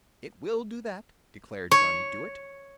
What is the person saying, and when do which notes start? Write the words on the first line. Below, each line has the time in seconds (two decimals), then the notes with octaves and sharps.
"It will do that," declared Johnny Dooit.
1.71 C#5